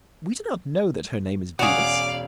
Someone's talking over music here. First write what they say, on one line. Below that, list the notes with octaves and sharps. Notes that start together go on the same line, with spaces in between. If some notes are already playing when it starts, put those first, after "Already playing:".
We do not know that her name is Venus.
E1 C#4 F#4 G#4 D5 F5 D6 F7